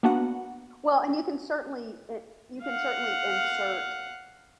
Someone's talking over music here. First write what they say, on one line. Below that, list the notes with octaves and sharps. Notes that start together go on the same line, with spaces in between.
Well, and you can certainly i you can certainly insert
A#3 B3 D4 F#4 F#5
F5 F#5